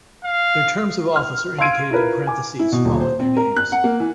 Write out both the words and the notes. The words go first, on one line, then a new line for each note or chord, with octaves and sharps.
Their terms of office are indicated in parenthesis following their names.
F5
F6
F5 C6 E6 G#6 D7 D#7
E4 F4 A#4 B4
G#5 D6
E4
B2
D#1
C5
C4
A#4
F#6
F#5
A#3
E3